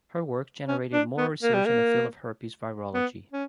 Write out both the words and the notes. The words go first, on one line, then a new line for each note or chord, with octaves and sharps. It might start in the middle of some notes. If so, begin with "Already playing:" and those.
Her work generated more research in the field of herpes virology.
C#4
D4
B3
A#3
G3
A#3
B3
C#4